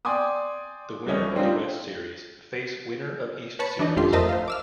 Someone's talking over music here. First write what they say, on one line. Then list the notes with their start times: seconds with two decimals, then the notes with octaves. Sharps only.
The winner of West series face winner of East series.
0.05 D5 G5 G#5 C6 D6 D#6
1.06 C2 A3 C#4 D#5
1.35 G3 C4 D4 D#4 F4
3.59 B4 C#5 A5 B5 C#7
3.79 E3 D4 D#4 D#5
3.96 G#1 F#2 A3 F4 G4 C6
4.12 F2 A#4 C5 D#5 E5 A5
4.29 C5 F5
4.48 D6 E6 F6